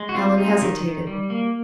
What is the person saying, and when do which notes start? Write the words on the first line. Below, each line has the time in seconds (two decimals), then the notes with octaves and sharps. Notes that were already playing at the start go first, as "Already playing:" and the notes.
Allan hesitated.
Already playing: G#3
0.09 F#4
0.15 C4 F4
0.38 D#4
0.62 D#3
0.84 D#3
1.07 G3
1.30 A#3